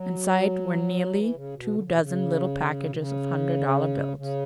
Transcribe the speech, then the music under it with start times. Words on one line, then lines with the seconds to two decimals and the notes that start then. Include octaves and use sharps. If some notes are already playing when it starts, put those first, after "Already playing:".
Inside were nearly two dozen little packages of hundred-dollar bills.
Already playing: F#3
1.14 E3
1.33 C#3
1.54 B2
1.74 D3
1.83 C#3
1.91 B2
2.00 C#3
2.89 B2
2.95 C#3
4.17 C#3